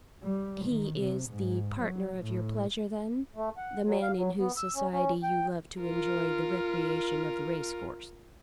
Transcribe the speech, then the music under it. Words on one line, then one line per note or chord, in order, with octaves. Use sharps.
"He is the partner of your pleasure then;--the man in whose society you love to enjoy the recreation of the race-course."
G3
D#3
C3
G#2
F#3
A2
A3
F#5
F#3
F5
F#3
B3
E6
C#4
C#4
G5
F4 A#4